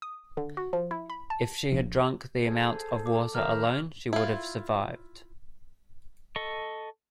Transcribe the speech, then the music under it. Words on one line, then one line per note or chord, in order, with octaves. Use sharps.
If she had drunk the amount of water alone she would have survived.
D#6
D3
F#4
F3
E4
B5
A5
A#1
G#4 A4 C5
D6
D#3 C5 A5 A#5 F6
E4 F4
A4 D#5 C#6